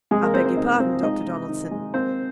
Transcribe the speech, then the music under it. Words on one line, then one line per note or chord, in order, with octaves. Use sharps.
'I beg your pardon, Dr. Donaldson.
C3 G#3 G#4
A#3 A#4
G#3 C4 C5
C4 C5
C3 D#4 D#5
F3 C4 C5
G#3 D#4 D#5
C3
D#3
G#3
A#3 C4 C5